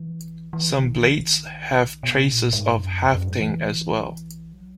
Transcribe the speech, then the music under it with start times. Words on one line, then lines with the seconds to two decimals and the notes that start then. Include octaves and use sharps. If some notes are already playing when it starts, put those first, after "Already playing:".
Some blades have traces of hafting as well.
Already playing: E3
0.53 E3
0.71 C#3
0.78 D#3
1.03 E3
1.29 D#3
2.03 B2
2.28 A#2
2.53 G#2
2.78 F#2
3.03 E2
3.15 F#2
3.28 G#2
3.40 E3
4.53 F#3